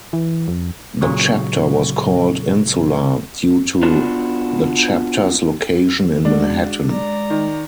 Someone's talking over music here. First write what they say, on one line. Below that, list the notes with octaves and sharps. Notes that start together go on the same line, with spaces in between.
The chapter was called "Insula" due to the chapter's location in Manhattan.
E3
F2
A#2 C#3 F#3 C#6
B3 D4 F4 F#4
G#3 D4 F#4
D5 A#5
D#3